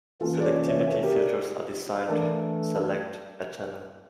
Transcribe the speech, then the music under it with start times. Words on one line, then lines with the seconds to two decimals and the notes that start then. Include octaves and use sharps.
Selectivity filters are designed to "select" a channel.
0.21 E3 A#3 C#4 F4 A4
0.40 D5
0.44 A4 C#5
0.56 D5
0.67 C#5 E5
0.80 C#5 E5
0.91 A4 C#5
1.02 G4 A#4
1.15 A#4 D5
2.08 E3 A3 D4 A4 A#4 D5